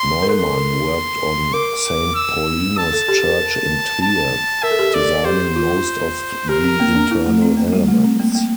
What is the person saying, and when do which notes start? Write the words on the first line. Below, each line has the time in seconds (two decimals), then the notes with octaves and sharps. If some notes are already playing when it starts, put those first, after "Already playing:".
Neumann worked on Saint Paulinus' Church in Trier, designing most of the internal elements.
Already playing: C6
0.22 A#4
0.29 A4 C6
1.53 A#4 D6
2.15 E6
2.77 A5
2.93 A4
3.08 G4
3.24 A#4
4.01 A5
4.63 A#4 E5
4.71 A4
4.79 G4
4.88 A4
4.94 D5
5.25 G4 C5
5.56 F4
6.49 G4 A#4
6.64 C4
6.80 A#3
6.95 D4
7.11 E4
7.26 A3
7.42 C4
7.57 A#3
7.73 G3
7.88 A3
8.04 C4
8.20 A#3
8.35 A#3